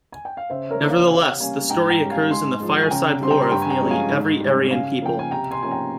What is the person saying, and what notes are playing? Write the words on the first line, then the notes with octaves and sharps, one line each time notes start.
Nevertheless, the story occurs in the fireside lore of nearly every Aryan people.
G#5
G5
F5
C#3 C5 E5
A#4 C#5
E3 A#3
C#5 F5
C3 C#5 F5
G3 A#3 C#4 F5 G#5
G#2 G5 A#5
G5 A#5
G3 C#4
F5 G#5
G#2 G#5 C6
F3 G#3
G#5
C#3 G5 A#5
G3 C4 C6
G5 A#5
C6
G2 G5 A#5
G#5
G5 A#5
F3 G#3 C#4
F5 G#5
G#2
G3 C#4
C#3 F5 G#5
F3 A#3 G5
G#5
C3 G5 A#5
G#5 C6
F3 A#3 C#4 G#5
G5 A#5